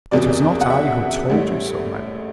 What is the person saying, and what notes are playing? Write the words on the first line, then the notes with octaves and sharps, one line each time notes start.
"It was not I who told you so, my lord."
F#1 E2 C3 F#3 D5
F#5
E5
A1 A2 G3